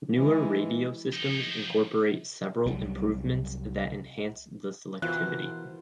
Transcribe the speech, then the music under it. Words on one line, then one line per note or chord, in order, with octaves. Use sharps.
Newer radio systems incorporate several improvements that enhance the selectivity.
E3 G#3
F3 D#4
C2 F#3 G3
B2 E3 F4 A#4 C5 F#6